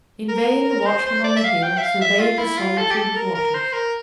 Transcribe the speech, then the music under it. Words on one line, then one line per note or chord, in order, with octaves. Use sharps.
In vain the watchman on the hill surveyed the solitude of waters.
A#4
C5
C5
D5
E5
F5
G5
E5
F5
E5
F4
E4
F4
A4
G4
A4
A#4
A#4
C5
A#4